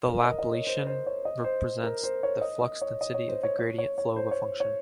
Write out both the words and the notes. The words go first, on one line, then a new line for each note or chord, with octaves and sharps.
The Laplacian represents the flux density of the gradient flow of a function.
A#4
D#5
D#5
C#5
C5
C5
C#5
D#5
C5
A#4
C5
C#5
D#5
D#5
C#5
D#5
C#5
C5
C#5
C#5
C#5
C#5
C5
C#5
C#5